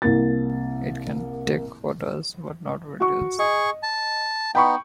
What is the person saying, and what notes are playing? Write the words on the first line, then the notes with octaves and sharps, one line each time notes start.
It can take photos but not videos.
C2 A#3 A6
F#4 C#6
G#4 D#5 C#6
A5
B3 D#4 G5 B5 C#6